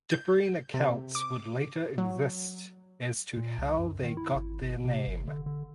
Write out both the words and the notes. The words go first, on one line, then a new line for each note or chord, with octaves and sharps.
Differing accounts would later exist as to how they got their name.
G6
C3
D6
F#3
A#2
C2
F#2
D#3
E4
G#1
G#1
C3
G1
D3
D3